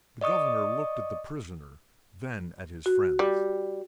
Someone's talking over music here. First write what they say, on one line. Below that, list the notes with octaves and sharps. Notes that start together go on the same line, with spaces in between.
The governor looked at the prisoner, then at his friends.
D5 D#5 C#6 D#6
F#4
G3